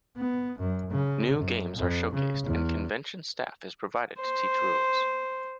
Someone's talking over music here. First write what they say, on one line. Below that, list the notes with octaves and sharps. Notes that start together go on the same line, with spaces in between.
New games are showcased and convention staff is provided to teach rules.
B3
F#2
C#3
F#2
F2
C#3
E2
C5